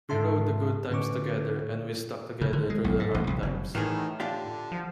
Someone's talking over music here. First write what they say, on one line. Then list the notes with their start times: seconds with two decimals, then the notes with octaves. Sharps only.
We rode the good times together, and we stuck together through the hard times.
0.10 G#2 F4 E5 A5 C6
0.90 A2 D3 C#4 B4 C#6 D6
2.41 C#3
2.53 D3
2.70 G#3
2.84 B1
2.99 A2
3.14 A1
3.27 C2
3.42 F#1
3.75 A2 D#3 E3 G#4
4.20 D3 D4 F4 G4
4.72 F3